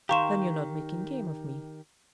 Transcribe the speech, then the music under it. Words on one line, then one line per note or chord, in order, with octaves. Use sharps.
"Then you're not making game of me?"
D#3 G4 F5 A#5 C6 C#6 E7